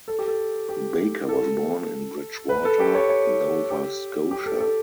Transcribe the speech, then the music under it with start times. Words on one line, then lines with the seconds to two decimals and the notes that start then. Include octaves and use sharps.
Baker was born in Bridgewater, Nova Scotia.
0.08 A4
0.19 G4
0.28 A4
0.69 G4
1.29 A4
2.49 B4
2.65 A4
2.80 G4
2.95 C#5
3.09 C#5
3.70 G4
4.31 G4
4.46 A4
4.60 A4